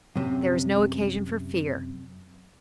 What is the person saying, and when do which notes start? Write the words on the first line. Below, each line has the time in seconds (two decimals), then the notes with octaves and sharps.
There is no occasion for fear.
0.16 F#2 C3